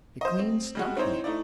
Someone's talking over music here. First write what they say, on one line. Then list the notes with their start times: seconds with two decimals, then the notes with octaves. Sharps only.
It clean stumped me.
0.21 C5 D#5
0.39 C4
0.75 G3 G#3 F#4
0.97 C4 D#4 E4 C5 C#5
1.24 A3 D#4 E4 D5